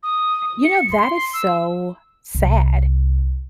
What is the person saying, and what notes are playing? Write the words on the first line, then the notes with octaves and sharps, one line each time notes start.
You know, that is so sad,
D#6
C#7
C6
E6
C2